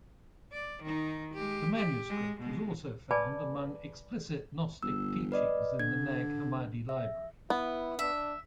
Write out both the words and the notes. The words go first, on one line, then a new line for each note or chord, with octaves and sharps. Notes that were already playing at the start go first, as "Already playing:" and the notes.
The manuscript was also found among explicit gnostic teachings in the Nag Hammadi Library.
D5
D#3 D#4
G#3 G4
G4
G#3
B2 G#3
B4 D5 G#5 A5 B5 D6
G1 E6
B4 D5 D#5
D3 G#6
E5
B3 E4
D4 E5